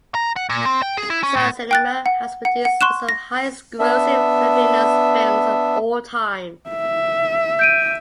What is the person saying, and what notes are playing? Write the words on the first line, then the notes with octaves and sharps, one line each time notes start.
Star Cinema has produced most of the highest grossing Filipino films of all time.
A#5
F#5
A#2
C4
G5
G#4
E4
C#4
A2
G5 F#6 A6
F#5
F#5
F#5
C6 C#6 F#6 E7
A#6
B3 D4 E5
E5
G6 D7 D#7